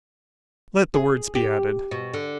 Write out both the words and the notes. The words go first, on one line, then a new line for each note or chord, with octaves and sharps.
Let the words be added.
G#4
G4
B2
D3